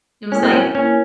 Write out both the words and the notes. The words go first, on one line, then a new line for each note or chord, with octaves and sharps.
It was like
A#3 C#4 E4 A#4
C4
C#4
A#3 C#4 E4 A#4